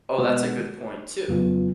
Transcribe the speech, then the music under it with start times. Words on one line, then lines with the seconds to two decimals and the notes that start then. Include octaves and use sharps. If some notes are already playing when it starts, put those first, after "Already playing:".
Oh, that's a good point, too.
0.18 B2 G#3 B3 F#4
1.28 F2 C#3 F#3 B3 F4